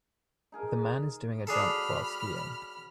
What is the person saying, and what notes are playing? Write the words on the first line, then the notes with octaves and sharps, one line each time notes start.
The man is doing a jump while skiing.
D#4 G#4 A#4
F#3 D4 G#4 A4 A5 B5 D6 F6